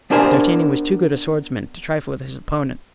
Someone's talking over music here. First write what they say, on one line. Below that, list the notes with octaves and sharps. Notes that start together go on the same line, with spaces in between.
D'Artagnan was too good a swordsman to trifle with his opponent.
B3 D4 G4 A#4 C5 G#5